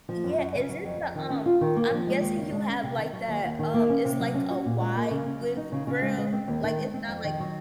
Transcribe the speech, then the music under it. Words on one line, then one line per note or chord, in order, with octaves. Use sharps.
Yeah, is it the, um I'm guessing you have, like, that, um, it's like a wide-width grill? Like, it's not like
F3
F#2
F#2
C#3
F#3
F2
F2
D#3
C#4
F4
D#3
A#3
F3
G#3
D#2
C#3
G#3
C#4
C3
D#3
F#3
D#2
D#2
D#3
A#3
C#4
C3
F#3
C#4
F#4
A#2
G#3
A#3
C#3
C#3
F#3
D#4
C#3
C#3
G#3
G#3
C4
D#2
D#3
G#3
C4
F2
D#3
F#3